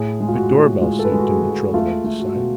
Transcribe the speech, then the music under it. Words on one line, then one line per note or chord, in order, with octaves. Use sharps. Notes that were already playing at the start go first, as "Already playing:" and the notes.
The door-bell saved him the trouble of deciding.
Already playing: A2 G#4
G#3
F4
F#4
A2
G#3 F4
A4
B4
G#3
F#4
G#4
G#3
F#4
A3 F4
A3
F#4
B2